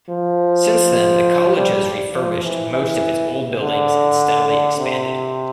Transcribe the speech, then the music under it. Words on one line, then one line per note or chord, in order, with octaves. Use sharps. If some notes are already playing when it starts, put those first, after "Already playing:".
Since then the college has refurbished most of its old buildings and steadily expanded.
F3
G3
F3
E3
E3
D3
D3
C3